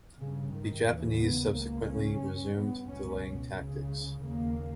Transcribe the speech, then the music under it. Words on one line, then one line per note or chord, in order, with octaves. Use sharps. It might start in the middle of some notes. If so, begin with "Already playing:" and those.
The Japanese subsequently resumed delaying tactics.
G2 C#3
D#3
D#2 C#3 E3
B3
C#2 C#3 A#3
C#4
G2
B3
C#2 B2 C#4
C#2 C#3
D#2 C#3 A#3